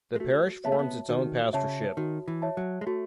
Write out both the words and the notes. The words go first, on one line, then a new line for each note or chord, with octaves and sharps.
The parish forms its own pastorship.
G#3
A3 F#4
B3 C#5 E5 A5
A3
B3
D#3 F#4
C#3 C#5 E5 A5
D#3 F#4
E3
C#5 E5 A5
F#3
G#3
A3 F#4